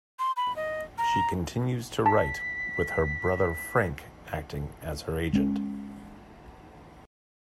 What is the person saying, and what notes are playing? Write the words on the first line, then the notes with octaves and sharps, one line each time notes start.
She continues to write, with her brother Frank acting as her agent.
C6
B5
D#5
A#5
A5 B6
G#3 C#4